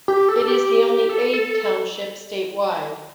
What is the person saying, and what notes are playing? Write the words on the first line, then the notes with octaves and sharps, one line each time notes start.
It is the only Aid Township statewide.
G4
A4
A4
G4
A4
A4